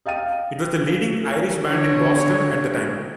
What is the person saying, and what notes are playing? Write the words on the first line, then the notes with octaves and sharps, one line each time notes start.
It was the leading Irish band in Boston at the time.
D#5 F5 G5 A6 D#7
D3 C#5